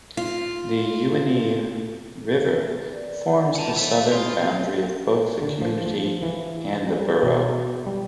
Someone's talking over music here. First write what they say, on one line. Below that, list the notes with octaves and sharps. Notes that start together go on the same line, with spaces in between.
The Ewenny River forms the southern boundary of both the community and the borough.
F4
A#4 B4 D5
G#3 F4 F#5 A5 A#5
A4 C5 C#5 D#5 E5
F4 F#4 B5 D#6
D3
F3
F3
E3
G3
B2
G3